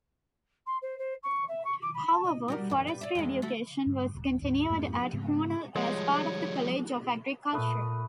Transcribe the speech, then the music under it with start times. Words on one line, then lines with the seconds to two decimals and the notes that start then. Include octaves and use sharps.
However, forestry education was continued at Cornell as part of the College of Agriculture.
0.66 C6
0.81 C5
0.98 C5
1.23 C#6
1.48 E5
1.64 C#6
1.81 D6
1.94 B5
2.11 A5
2.24 D#5
2.48 G3 F#4 A#4
2.70 F#2 E3
2.87 G3 B4
3.01 D5 E5
3.15 F2 E3 G#3
3.42 A3 E4 F#4
3.86 G2
4.15 D#1
4.42 D2 G#2
4.70 F2 G#2 A3 A#3
5.13 G#2 C#3 G#3 B3
5.76 F3 G3 G#3 C#5
7.53 A#2 A3 B4 D#6